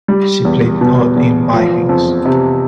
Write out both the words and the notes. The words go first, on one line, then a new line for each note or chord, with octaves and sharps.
She played Aud in "Vikings".
G3
E2
B2
E2
F3
F2
C3